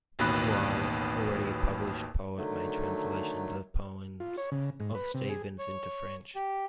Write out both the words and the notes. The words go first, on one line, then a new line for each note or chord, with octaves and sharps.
Wahl, already a published poet, made translations of poems of Stevens into French.
A1 D#2 B2 B3 B5 F#6
D3 D#3 F#3 A3
F4
C#5
C#3
G#2
B4
C3
G#4
C#5
G4